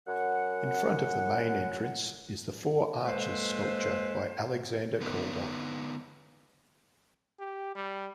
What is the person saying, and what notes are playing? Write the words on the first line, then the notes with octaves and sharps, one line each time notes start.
In front of the main entrance is the "Four Arches" sculpture by Alexander Calder.
F#2 F#5
G#3 A#3 A4 B4 C5
D3 B3 D#4 B4
G4
G3